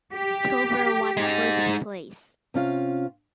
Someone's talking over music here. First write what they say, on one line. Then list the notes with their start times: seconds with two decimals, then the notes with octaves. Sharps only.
Tovar won first place.
0.14 G4
1.17 G#3 D#4
2.54 C3 C#4 F4 F5